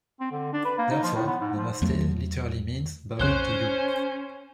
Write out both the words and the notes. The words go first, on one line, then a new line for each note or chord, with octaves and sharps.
Therefore, Namaste literally means "bowing to you".
C4
D3
D4
B4
A#3
D#4
F3
A2
B3
G#2
F3
E2 F#3 A3
B1 F2 C#3 C#4 C5 C#5 C6 F#6